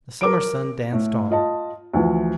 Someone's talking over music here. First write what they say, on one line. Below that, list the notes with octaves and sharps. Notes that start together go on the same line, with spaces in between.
The summer sun danced on.
A#4 D6 D7
A2
F4 D#5 A5
D2 E3 F3